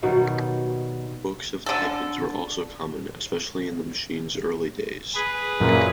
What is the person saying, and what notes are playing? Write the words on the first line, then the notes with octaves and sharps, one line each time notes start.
Books of type-ins were also common, especially in the machine's early days.
B2 D#3 F#3 G3
D3 A4
G#4 B4
F#2 A#2